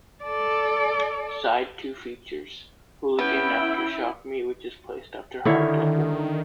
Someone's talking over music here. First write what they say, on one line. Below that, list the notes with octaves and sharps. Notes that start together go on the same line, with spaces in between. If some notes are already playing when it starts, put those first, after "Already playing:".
Side two features "Hooligan" after "Shock Me", which is placed after "Hard Luck Woman".
A4 D5
B3 C#4 E4 G5
D3 D#3 E4 C#5